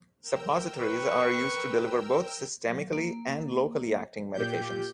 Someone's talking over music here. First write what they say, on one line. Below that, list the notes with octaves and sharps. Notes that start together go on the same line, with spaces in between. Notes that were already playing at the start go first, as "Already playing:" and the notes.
Suppositories are used to deliver both systemically and locally acting medications.
A#4 G5 E6
B4 C#6
F#3
A#3
A#2 G4 G6